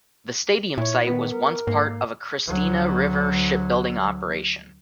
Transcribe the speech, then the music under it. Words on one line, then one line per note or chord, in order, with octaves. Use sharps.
The stadium site was once part of a Christina River shipbuilding operation.
A#2 E4 C#5
D#3 B3
A#4
G#2 A#3
D2 F#3